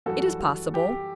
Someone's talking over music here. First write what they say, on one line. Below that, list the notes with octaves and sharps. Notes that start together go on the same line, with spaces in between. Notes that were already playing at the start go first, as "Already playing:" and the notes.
"It is possible."
F#2 E3 G3 F#4 A4
F#4
G4